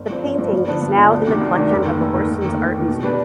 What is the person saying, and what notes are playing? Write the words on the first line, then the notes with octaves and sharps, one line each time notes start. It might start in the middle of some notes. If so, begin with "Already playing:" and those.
The painting is now in the collection of the Horsens Art Museum.
Already playing: G1
G2 F3 C4
G1
G2 F3 C4
G2
D3 F3 B3 D4
G2
D3 F3 B3 D4
D2
C3 D#3 G3 D4
D2
C3 D#3 G3 D4
F1
D#2 D#3
F1
D#2 D#3
F1
D#2 D#3
F1
D#2 D#3
B2
G3 D4 G4 B4